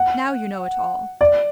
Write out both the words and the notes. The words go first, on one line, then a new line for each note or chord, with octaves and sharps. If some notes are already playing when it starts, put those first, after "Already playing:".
Now you know it all.
Already playing: F#5
D5